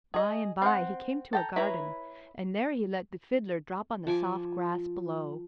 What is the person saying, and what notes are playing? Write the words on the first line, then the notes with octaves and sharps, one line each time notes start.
By-and-by he came to a garden, and there he let the Fiddler drop on the soft grass below.
G#4 D#5
C4 F#5
A4 G5 A#5
E4 B4 C#5 A#5
F3 G#5 D6